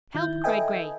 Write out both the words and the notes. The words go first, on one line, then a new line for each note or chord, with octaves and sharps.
"Help!" cried Grace.
D#3 E4 G6
A4 B4 D#5 E5 G5 G#5